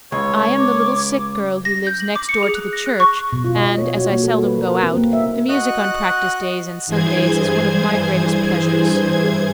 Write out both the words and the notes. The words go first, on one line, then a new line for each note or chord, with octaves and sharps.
I am the little sick girl who lives next door to the church, and, as I seldom go out, the music on practice days and Sundays is one of my greatest pleasures.
C#2 C#5
D6
A#6
G6
F#7
D6
C#7
G#4
F#6
A#6
F#6
C#6
B2
F4
D#5
C#5
F#4
A#3
A4
B4
A#4
C4
A#3
E5
F#4 D#5 F#5 F#6
G2 E3 G#4 C5 G#6